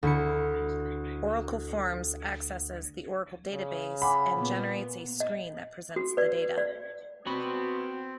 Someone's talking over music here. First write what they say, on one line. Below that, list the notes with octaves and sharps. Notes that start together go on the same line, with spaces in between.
Oracle Forms accesses the Oracle database and generates a screen that presents the data.
D2 E4 C#7
C#3
F#5 G#5 B5 D6
A#2 B3
D#5
F#4
B4 D5
D5
B3 C4 F#4 B5